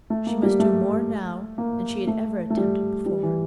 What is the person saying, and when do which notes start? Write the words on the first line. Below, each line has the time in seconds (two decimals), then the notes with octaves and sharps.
She must do more now than she had ever attempted before.
0.10 A3
0.27 A#3
0.43 G3
0.60 A3
1.58 A#3
2.07 A3
2.50 A3
2.57 G3
3.06 G3
3.23 E3